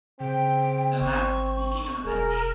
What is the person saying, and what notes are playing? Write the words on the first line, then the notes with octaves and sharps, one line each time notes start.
A man sleeping on a bench.
C#3 C4 G5
G#1 C#6
E1 G#4 A#4